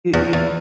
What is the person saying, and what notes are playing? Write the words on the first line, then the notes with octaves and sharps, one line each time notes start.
You you ju
E2
E2